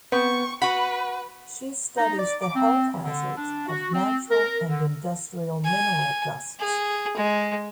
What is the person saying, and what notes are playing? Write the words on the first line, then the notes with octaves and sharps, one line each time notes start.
She studies the health hazards of natural and industrial mineral dusts.
B3 C4 C#6
F#4 B4 F#5 B5
D#4
D5
D6
C4
D3
D4
F#4
C4
A#4
D3
G#5
G#4
G#3